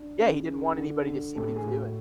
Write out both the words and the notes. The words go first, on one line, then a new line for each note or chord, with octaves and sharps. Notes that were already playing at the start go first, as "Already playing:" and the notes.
Yeah, he didn't want anybody to see what he was doing.
Already playing: D4
C#3
C#3
D3
D3
A2 A4
G#4
A2
F#4